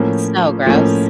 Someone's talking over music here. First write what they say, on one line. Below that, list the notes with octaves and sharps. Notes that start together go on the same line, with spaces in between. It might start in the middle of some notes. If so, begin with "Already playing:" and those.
It's so gross,
Already playing: A2 F3 A#3 C#4
A2 F3 A#3 C#4